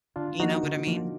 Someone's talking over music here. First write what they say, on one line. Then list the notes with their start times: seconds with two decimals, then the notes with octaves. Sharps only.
You know what I mean?
0.16 D3 D4 F4
0.40 F3 A#3 D#4 F#4
0.63 D3
0.87 F3 A#3